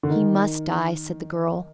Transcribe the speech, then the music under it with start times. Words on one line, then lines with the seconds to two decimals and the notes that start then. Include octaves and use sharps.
"He must die," said the girl.
0.03 D3
0.10 D#3